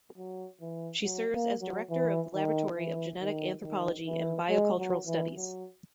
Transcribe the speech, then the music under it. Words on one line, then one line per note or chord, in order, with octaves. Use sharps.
She serves as Director of the Laboratory of Genetic Anthropology and Biocultural Studies.
F#3
E3
F#3
A#3
F#3
E3
D#3
E3
D#3
D#3
E3
G#3
F#3
E3
F#3